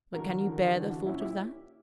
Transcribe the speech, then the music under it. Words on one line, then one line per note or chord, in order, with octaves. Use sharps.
But can you bear the thought of that?'
E2 D3 F#4 A#4
E2 D3
A#4
G4
E2 D3 D4 F#4
D4 F#4
A#2 C#4 E4
E4 G4